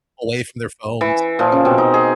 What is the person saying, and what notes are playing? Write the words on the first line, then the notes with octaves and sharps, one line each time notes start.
away from their phones,
E3 E5
A#2 F3
C#3
B2 C4
D#4
G#4